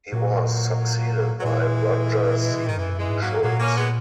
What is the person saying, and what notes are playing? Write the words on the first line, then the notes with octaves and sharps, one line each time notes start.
He was succeeded by Roger C. Schultz.
A#2 F#3 A#3
F#3
A#2 E3 G#3
B2
A#2
G#2 D#3
F#2 E3
E3 G#3
G#2
F#3 A#3
A#2 F#3 A#3
A#3 C#4
G#3 B3